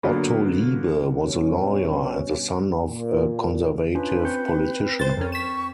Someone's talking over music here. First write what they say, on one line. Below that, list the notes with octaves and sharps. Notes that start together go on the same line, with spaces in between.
Otto Liebe was a lawyer and the son of a conservative politician.
D3 F#3 A#3 B3 F4 B4
G2 B2 C#4
A#2
C#4 D4 F4 B4
C4 G6 C#7
C5 A6
F2 C#4 A#4
C#6 B6 E7